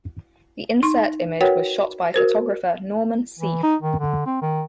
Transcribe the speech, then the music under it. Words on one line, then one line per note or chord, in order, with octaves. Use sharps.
The insert image was shot by photographer Norman Seeff.
D#4 C6 C#6
F#4 A#4 B4 C#5 F#5 G5
F#4 A#4 C5
E3
D#4
D#3
D3
C4
D#3